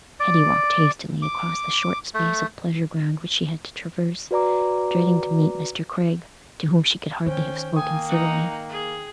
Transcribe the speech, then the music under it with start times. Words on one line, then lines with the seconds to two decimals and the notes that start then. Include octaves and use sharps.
Hetty walked hastily across the short space of pleasure-ground which she had to traverse, dreading to meet Mr. Craig, to whom she could hardly have spoken civilly.
0.20 D5
1.22 D6
2.14 A3
4.31 F#4 B4 D5 A#5 D6
7.26 D#3 C#4 C5 G5
7.76 A#3 G5 G#5 D#6
8.09 D#4 F#5
8.69 G#4